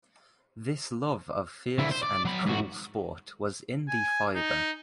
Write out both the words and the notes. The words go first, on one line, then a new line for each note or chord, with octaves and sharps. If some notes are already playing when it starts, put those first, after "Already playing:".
This love of fierce and cruel sport was in the fiber.
D3 E4
C5
D5
F#3 B5
G#2 F#4
G#5
D#4